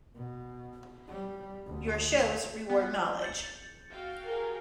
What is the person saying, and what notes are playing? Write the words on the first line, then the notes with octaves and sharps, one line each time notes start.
Your shows reward knowledge.
B2
G3
D2
B3
G6 A6 C#7
F#4 F5 G5
G4 G#4 A#4